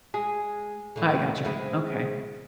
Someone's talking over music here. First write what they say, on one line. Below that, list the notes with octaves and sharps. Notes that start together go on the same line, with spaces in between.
I gotcha, okay.
G#3 G#4
A2 D3
G#3 C4 E4